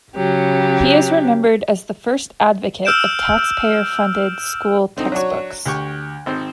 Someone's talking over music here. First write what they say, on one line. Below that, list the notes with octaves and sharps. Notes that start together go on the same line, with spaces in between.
He is remembered as the first advocate of taxpayer-funded school textbooks.
C#3 F#3 G4
E6 F6 G6 D7 E7
D3 C4 D#4
F#3 D4 F#4 C#5
D2 G4 C#6
G#1 C4 D#4 C5